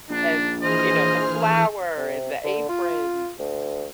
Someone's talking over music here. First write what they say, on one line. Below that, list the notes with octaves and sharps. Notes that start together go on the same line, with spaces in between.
and, you know, the flour, and the aprons.
A#1 D4
E3 G#4 C5 D#5 F6
C3
D3
F4
D2